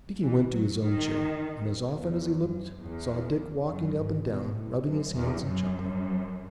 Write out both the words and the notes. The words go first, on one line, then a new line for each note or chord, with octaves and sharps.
Binkie went to his own chair, and as often as he looked saw Dick walking up and down, rubbing his hands and chuckling.
E3
F#3
D#3
E2
F#2
E2
F#2
G#2
B2
A2
F#2
E2
F#2